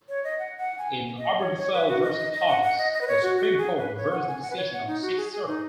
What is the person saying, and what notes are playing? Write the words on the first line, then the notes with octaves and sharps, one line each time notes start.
In "Obergefell versus Hodges" the Supreme Court reversed the decision of the Sixth Circuit.
C#5
D#5
F#5
F#5
G#5
D#5
C#5
C#5
B4
F#4
D#5
D#5
D#5
F#5
F#5
D#5
D#5
B4
C#5
F#4
F#4
G#4
B4
C#5
F#5
G#5
F#5
B4
C#5
F#5
D#4
F#4
G#4
G#4
D#4